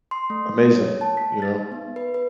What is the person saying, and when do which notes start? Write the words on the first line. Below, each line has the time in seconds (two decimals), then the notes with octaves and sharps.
amazing, you know?
0.11 C6
0.30 A3
0.54 A3
0.75 C#5
1.01 A5
1.17 B6
1.42 A6
1.55 D#4
1.72 B3
1.96 B4
2.14 B4